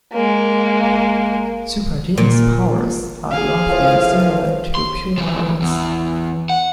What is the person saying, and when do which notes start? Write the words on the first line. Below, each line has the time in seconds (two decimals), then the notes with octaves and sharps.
Superteen's powers are roughly similar to Pureheart's.
0.13 G#3 A#3
2.18 A#2
3.31 G#4 F5
3.70 A2 E3 F3
4.75 C6
5.18 E3 F3
5.62 E2
6.50 F#5